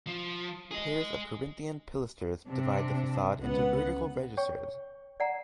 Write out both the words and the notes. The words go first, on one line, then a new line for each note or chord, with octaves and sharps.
Pairs of Corinthian pilasters divide the facade into vertical registers.
F3
G#4 D#5
C3 D4
C#2 B3 F#5
C#5 G5 C#6
D5 F#5 A#5